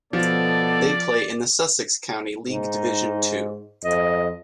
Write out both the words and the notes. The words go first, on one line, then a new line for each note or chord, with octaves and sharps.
They play in the Sussex County League Division Two.
B2 F3 B3 A4 D5
G#2 D#4
F2 D#5